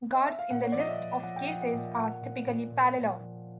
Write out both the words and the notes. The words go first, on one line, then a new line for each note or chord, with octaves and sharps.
Guards in a list of cases are typically parallel.
D#5
E5
F5
A#2 F#5
C#5
F3 D5
D#5
E5
F3
F3 F#5
G5
F3 F#5
F#5
A#2
A#2 F#5
A#2
A#2
A#2
A#2
F3